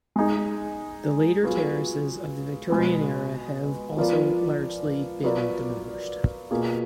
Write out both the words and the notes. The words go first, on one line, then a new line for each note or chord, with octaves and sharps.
The later terraces, of the Victorian era, have also largely been demolished.
G#3 D#4 G#4
F#3 B3 F4 G#4
B2 G#3 B3
F3 B3 F4 A#4 D5
F#3 B3 F4 A#4 D5
B2 A#3 F4 G#4